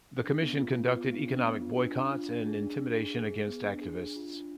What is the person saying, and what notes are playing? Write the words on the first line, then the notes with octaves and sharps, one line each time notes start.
The Commission conducted economic boycotts and intimidation against activists.
D4
B3
F4
B3
F4
B3
D4
B3
F4
D4
D4
F4
D4
G#4
D4
D4
G#4
G#4
G#4
B3
D4
G#4
D4
F4
D4